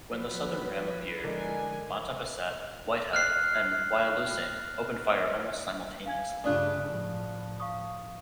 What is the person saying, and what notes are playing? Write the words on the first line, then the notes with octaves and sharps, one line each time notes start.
When the Southern ram appeared, "Mattabesset", "Whitehead" and "Wyalusing" opened fire almost simultaneously.
F3 F#3 B4
D3 G#3 E4 A#4 G#5
F6 F#6 C7
F5 G#5 G#6
G2 C#3 A3 D4 F4 D5 D#6 F#6
A2 F3
F5 C#6 D#6